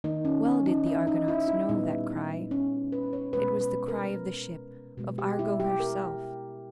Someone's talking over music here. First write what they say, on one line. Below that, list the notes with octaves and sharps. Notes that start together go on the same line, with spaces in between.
Well did the Argonauts know that cry--it was the cry of the ship, of Argo herself.
D#3 A#3 D#4
C#4
C#4
D#4
E4
D#4
E4
E4
A#2 G3 B3 D#4
C#4
B4
C#5
B2 G#3 B3 B4
B4
A#4
B2 G#3 B3
G4
E4
G4
A#4